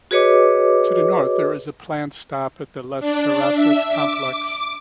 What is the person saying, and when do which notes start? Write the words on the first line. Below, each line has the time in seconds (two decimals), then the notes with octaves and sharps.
To the north, there is a planned stop at the Les Terrasses Complex.
0.11 F#4 G#4 B4 C#5 D#5 D6
3.00 D4
3.54 E5
3.90 D6